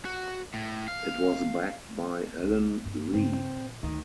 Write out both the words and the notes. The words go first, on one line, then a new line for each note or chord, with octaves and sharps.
It was backed by Allen Lee.
F#4
A2
F5
C2
G2 B3
G2 C#3 C4
A#2
D2 D#3